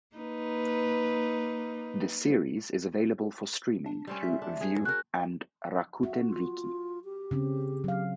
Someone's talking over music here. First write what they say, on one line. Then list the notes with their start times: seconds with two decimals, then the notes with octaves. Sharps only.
The series is available for streaming through Viu and Rakuten Viki.
0.16 A#3 D#4 B4
3.86 D4
4.07 G3 C4 C#4
4.22 E5
4.42 D4
4.61 G#4
4.85 F#4 A#4 F#6
6.03 F#4 E5
6.26 F4
7.04 G4
7.31 C#3 C4 C#4
7.84 F#3 F5